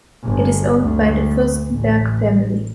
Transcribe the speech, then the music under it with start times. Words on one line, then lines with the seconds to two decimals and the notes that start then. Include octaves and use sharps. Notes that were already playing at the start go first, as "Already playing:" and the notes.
It is owned by the Fürstenberg family.
0.23 G1
0.80 D2
1.69 A1